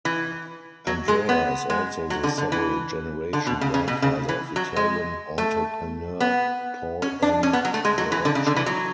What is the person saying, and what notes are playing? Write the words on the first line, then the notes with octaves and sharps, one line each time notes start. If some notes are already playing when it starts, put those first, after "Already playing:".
Andrea is also the several generation grandfather of Italian entrepreneur, Paul M. Verrochi.
E3
F#3
G#3
B3
G#3
F#3
D3
D3
E3
D3
B2
C#3
C#3
B2
C#3
E3
F#3
G#3
A3
B3
C#4
D4
C#4
B3
F#3
A3
G#3
F#3
E3
D3
C#3
D3
E3
F#3